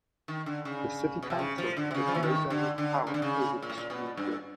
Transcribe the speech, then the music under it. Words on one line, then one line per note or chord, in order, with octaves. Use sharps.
The city council has no direct power over the school board.
D#3
D3
C#3
B2
C3
C#3
F3
D3
C3
C#3
F3
E3
D#3
D3
D3
C#3
D3
C#3
A#2
A2
A#2
B2
G2